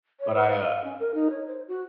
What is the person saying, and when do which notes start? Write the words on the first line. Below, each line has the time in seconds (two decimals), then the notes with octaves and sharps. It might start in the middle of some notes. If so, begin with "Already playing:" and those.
but I, uh,
0.20 C#5
0.35 B4
0.50 F5
0.63 F5
0.84 C#4
1.00 A#4
1.14 D#4
1.30 C#5
1.47 C5
1.68 F#4